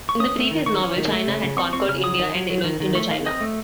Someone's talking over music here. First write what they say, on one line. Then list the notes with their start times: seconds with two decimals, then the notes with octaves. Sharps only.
In the previous novel, China had conquered India and Indochina.
0.09 C#6
0.20 C#4 D#6
0.36 A3
0.51 D#3
0.66 D#3 C#6
0.81 C#4
0.97 D#3
1.12 A3
1.27 C#3
1.43 C#3
1.58 C4 C#6
1.73 C4 C#6
1.89 C#3 F6
2.03 F#3 D#6
2.19 D#3
2.35 F#3
2.50 F#3
2.64 D#3
2.80 D#3
2.95 A3 C#6
3.10 D#3 F5
3.26 C4 D#5
3.41 A3